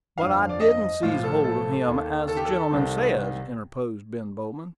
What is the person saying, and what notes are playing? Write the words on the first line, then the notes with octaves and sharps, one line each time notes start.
"But I didn't seize hold of him, as the gentleman says," interposed Ben Bowman.
G1 F2 D3 F3 F5
D5
D#5
A1 A2 F3 F4
A4
A4
D#2 D#3
A4
G4
A4
C2 C3 D#3